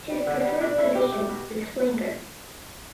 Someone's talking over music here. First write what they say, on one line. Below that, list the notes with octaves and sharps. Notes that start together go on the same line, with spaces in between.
His preferred position is flanker.
G3
D3 B3
G3
B2 D4
A3 E4
B2 G4
A3
B2